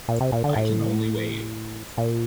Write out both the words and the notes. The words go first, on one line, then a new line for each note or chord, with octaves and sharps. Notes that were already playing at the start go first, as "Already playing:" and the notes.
I can only wait.
A#2
C3
A#2
D3
A2
A#2